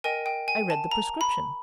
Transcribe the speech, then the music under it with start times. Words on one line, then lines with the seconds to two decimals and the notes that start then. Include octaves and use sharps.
I read the prescription.
0.04 A#4 D#5 G5 G#5
0.26 G5
0.48 G#5
0.70 A5
0.92 A#5
1.21 B5